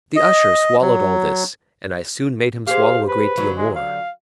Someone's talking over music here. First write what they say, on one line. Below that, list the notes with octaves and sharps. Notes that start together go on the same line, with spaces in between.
The usher swallowed all this, and I soon made him swallow a great deal more.
D#5
F#3
G4 G#4 C5 F5
B4
D3 F#3
G#3
F5